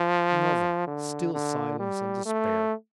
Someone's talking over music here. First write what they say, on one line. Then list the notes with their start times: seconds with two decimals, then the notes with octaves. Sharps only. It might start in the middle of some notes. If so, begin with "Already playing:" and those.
Another--still silence and despair!....
Already playing: F3
0.87 D3
1.34 D3
1.79 G3
2.25 A3